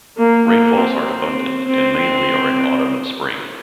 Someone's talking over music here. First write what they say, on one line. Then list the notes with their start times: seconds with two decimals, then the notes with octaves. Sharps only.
Rainfalls aren't abundant and mainly are in autumn and spring.
0.18 A#3
0.47 A#3
0.78 C4
1.67 C4
1.97 C4